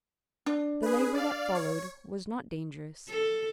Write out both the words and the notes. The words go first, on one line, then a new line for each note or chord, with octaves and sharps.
The labor that followed was not dangerous.
D4
G#4 B4
D5 F5
C#5
A4